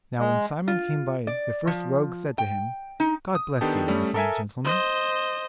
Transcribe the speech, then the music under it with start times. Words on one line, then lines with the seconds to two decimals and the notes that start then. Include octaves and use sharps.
Now when Simon came by, the first rogue said to him, 'God bless you, my fine gentleman.'
0.19 G#3
0.68 F4
1.27 D5
1.67 F3
2.38 G5
3.00 D#4
3.35 D#6
3.61 D#3 B3 D4 G4 A4
3.88 G3 A3 C#4
4.14 A4 A#4 E5 G#5
4.64 C5 D#5